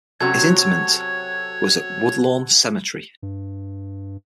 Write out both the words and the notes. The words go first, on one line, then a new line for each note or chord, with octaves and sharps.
His interment was at Woodlawn Cemetery.
C3 F#3 C#4 F#4 A4 C#5 G#6
G2